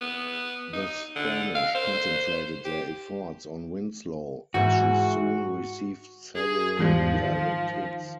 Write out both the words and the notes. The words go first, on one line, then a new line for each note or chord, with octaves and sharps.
The Spanish concentrated their efforts on "Winslow", and she soon received several direct hits.
B3
D#4
D3
F5
C5
G4
G#2 E3 F#4
G#4
E2 G#2 F3 G3
D#3